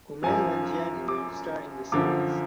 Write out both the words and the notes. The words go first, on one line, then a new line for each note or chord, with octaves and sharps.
Kumail Nanjiani will star in the series.
F#2 F3 G#5
D6
F#2 D3 F3 D6